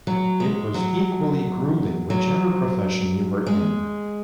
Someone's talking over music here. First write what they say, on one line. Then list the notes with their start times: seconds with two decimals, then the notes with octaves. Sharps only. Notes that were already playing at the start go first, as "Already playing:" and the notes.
It was equally gruelling whichever profession you were in.
0.07 F#3
0.40 G#3
0.74 F#3
2.10 F#3
3.46 G#3